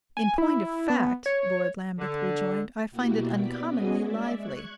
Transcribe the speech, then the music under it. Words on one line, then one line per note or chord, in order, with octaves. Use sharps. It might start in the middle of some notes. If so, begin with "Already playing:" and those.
"In point of fact," Lord Lambeth rejoined, "I find it uncommonly lively."
G#5
E4
B3
C#5
D3
B2 A#3 E4 F#4 G4
B3 D5 B6
B3 C#4 F#4 G#4 D#5 G#5
G#3 D5 E5
C#6 F#6 G#6